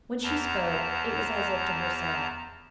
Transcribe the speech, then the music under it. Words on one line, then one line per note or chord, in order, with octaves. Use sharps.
When she spoke, it was as if to herself.
E2 A5 A#5